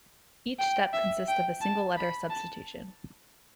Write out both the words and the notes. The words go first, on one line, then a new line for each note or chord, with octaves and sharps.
Each step consists of a single letter substitution.
G5
E5
G5
A5
B5
A5